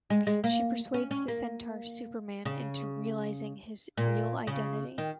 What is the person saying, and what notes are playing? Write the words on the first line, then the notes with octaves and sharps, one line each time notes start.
She persuades the centaur Superman into realizing his real identity.
G#3
G#3
A#3
C#4
C#4
A#3
C#3
A#2
C#3
D#3